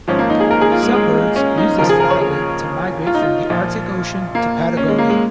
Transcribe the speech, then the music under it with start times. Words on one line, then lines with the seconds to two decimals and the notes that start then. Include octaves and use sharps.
Some birds use this flyway to migrate from the Arctic Ocean to Patagonia.
0.08 G#1 G#2 F3 C#4
0.19 A#3
0.30 D#4
0.40 G#4
0.51 A#4
0.61 G#4
0.72 F4
0.83 G#3
0.94 G#3
1.36 C#4
1.58 D#4
1.79 D#2 C#3 F3 A#4
1.89 G#4
2.00 A#4
2.10 C#5
2.21 G#4
3.07 F4
3.14 D#4
3.22 F4
3.49 A#1 A#2 F3
4.35 A#3
4.77 C#4
4.88 G#3
4.99 A#3
5.10 G#3